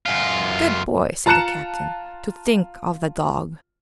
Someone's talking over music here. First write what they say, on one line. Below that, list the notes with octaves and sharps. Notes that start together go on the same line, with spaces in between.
"Good boy," said the captain, "to think of the dog."
F#2 F4
F4 A5 A#5 F#6 C#7 E7